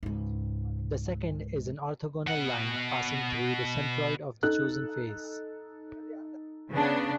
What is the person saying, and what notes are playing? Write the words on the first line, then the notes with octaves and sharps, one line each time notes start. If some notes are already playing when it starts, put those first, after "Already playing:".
The second is an orthogonal line passing through the centroid of the chosen face.
C#2 G#2
B2 F#5
D#4 A4 F#6
C#3 B3 D4